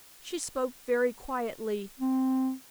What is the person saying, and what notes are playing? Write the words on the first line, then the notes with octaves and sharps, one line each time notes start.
She spoke very quietly.
C4